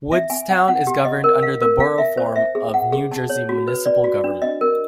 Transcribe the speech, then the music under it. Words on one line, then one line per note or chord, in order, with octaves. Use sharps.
Woodstown is governed under the Borough form of New Jersey municipal government.
E5
G#5
F#5
F#5
G4
D#5
A#4
F5
A#4
F5
E5
C5
E5
G#4
F#5
G#4
A5
C#5
F#4
B4
D5
F#4
D4
D#5
A#4